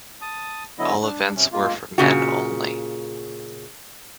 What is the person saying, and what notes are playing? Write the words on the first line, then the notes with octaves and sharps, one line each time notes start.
All events were for men only.
A5 D#6
D3 F#3 B3 E4 D#5
D4
C3 C#4
G#3 A#3 F4
A#2 C#3 F#4